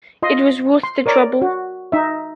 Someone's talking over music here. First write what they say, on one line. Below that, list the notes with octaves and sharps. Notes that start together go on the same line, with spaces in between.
It was worth the trouble.
F4 D#5 C6
C6
A#4 C#5 D5 A#5
F#4
D#4 E5